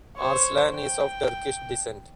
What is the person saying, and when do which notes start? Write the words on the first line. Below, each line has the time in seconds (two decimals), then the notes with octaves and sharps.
Arslan is of Turkish descent.
0.17 C5 C#5
0.74 G5